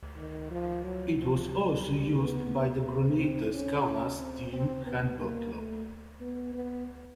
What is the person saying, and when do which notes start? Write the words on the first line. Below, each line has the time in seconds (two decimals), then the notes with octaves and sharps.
It was also used by the Granitas Kaunas team handball club.
0.16 D#3
0.51 F3
0.84 F#3
1.18 F3
1.51 F#3
1.84 G3
2.18 B3
2.85 C4
3.19 C4
3.52 C#4
4.19 C4
4.52 C4
4.86 B3
5.20 A#3
5.54 A3
6.20 B3
6.54 B3